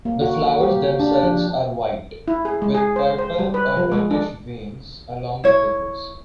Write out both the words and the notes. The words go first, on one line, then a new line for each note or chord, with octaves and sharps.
The flowers themselves are white, with purple or reddish veins along the tepals.
A#3
F#4
G4
D4
F3
E4
G#4
G#3
G#4
C5
C5
G3
B4
F3
G#3
D4
E4 C#5